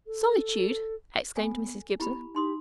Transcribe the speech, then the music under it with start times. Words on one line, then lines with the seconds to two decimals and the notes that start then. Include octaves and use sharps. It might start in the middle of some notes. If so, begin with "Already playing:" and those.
"Solitude!" exclaimed Mrs. Gibson.
0.06 A4
1.37 B3 A4 G#5
2.00 B3 E4 G4 B5
2.35 D#4 G4 C6 D#6